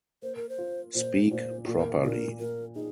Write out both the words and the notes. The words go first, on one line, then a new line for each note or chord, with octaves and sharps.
Speak properly.
A#3 C5
A#4
C5
F4
A#2 C5
A#2 C5
A#2 A#4
A#2 A#4
A#2 A#4
D#4 G#4